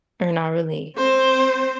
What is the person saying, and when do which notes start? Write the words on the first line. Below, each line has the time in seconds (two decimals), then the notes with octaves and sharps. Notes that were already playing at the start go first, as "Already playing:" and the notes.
Or, not really?
0.97 C4 C5